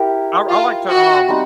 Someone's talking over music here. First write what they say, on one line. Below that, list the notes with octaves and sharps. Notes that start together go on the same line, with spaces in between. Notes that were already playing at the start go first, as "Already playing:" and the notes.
I I like to, um
Already playing: E4 G4 A#4
F4
F#4
G3 C4 D#4